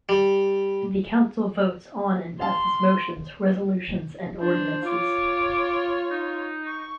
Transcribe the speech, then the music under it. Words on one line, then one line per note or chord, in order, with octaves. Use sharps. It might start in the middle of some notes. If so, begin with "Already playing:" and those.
The council votes on and passes motions, resolutions and ordinances.
G3
F5 A5 C6
D4 C5
F4 C#5 D6
D#4
C#6